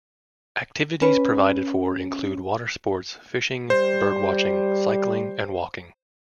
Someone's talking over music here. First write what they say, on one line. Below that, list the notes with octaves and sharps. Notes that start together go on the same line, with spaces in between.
Activities provided for include water sports, fishing, bird watching, cycling and walking.
C#4 B4
G3 C5